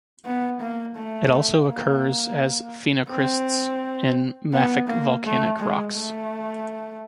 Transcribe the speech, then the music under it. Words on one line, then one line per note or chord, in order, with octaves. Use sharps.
It also occurs as phenocrysts in mafic volcanic rocks.
B3
A#3
A3
A#3
C4
B3
A#3
A3
G#3
A3